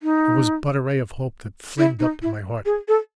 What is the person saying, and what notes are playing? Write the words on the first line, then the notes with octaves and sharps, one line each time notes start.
It was but a ray of hope that flamed up in my heart.
D#4
E4
D#4
E4
G#4
A4